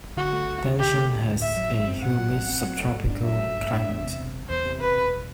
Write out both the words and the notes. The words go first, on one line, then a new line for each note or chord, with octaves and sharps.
Denison has a humid subtropical climate.
D3 F#4
A3
D2
D2
D3 G4
A3
D2
D2
A2 E5
F#3
A1
C4
A2 F#5
F#3
A1
C4
F#3
A3
G2
D4
F#3 E5
A3
G2
D4
E2
C3
E1
E1
E2 C5
C3
E1 B4
E1